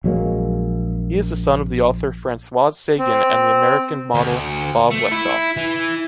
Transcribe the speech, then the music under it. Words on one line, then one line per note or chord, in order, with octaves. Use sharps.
He is the son of the author Françoise Sagan and the American model Bob Westhoff.
A#1 F#3 G#3 A#3
C4
D2
A3
E4
E3